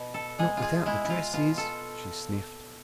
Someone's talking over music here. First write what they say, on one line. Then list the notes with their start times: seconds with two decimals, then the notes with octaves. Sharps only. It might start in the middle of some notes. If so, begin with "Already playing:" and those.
"Not without the dresses," she sniffed.
Already playing: B2
0.14 A4
0.39 G#3 G#4
0.57 F4
0.62 G#4
0.86 G#3 E4
1.04 E4
1.10 F4
1.33 B2 F4
1.58 A4